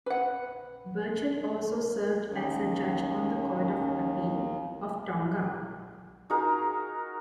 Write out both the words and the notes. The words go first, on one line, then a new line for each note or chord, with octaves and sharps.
Burchett also served as a judge on the Court of Appeal of Tonga.
B4 F#5
D#2 C#4
D#4 F#4 G#4 A#4